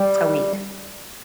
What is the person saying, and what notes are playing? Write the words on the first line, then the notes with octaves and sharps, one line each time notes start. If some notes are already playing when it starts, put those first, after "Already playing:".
A week.
Already playing: G3